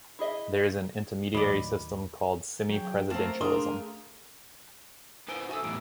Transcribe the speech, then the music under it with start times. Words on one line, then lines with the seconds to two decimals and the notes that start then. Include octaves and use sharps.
There is an intermediary system called semi-presidentialism.
0.19 E4 G#4 D#5 E5
1.34 D#2 A2 D#3 F#3 D5 D#5 B5
2.70 F#3 G#4 G5
3.10 A3 A#3 C4 A#4 A5 A#5 F6
3.41 A3 D4 G#4 A#4 F5 A#5 C6 D#6
5.28 D#4 B4 C5 G#5 D7 G7
5.49 F#4 A4 E5 G#5 E6
5.64 E2 A2 G3 D7